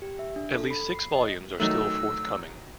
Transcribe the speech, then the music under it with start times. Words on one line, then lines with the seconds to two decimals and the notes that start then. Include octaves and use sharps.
At least six volumes are still forthcoming.
0.02 G4
0.19 E5
0.36 D4
0.54 A4
0.71 B5
0.95 C7
1.15 D#5
1.60 D#3 F#3 A3 D#4 E6